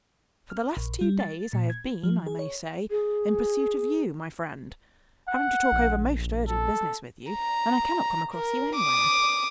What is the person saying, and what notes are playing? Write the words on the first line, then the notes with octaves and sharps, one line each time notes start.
For the last two days I have been, I may say, in pursuit of you, my friend, having to talk over most urgent business with you, and I cannot come across you anywhere.
F6
A#1
G3
A6
A#2
G#6
F3
G#4
C#5
G#4
F#5
A#1
A4
A#5
A#4
D6 D#6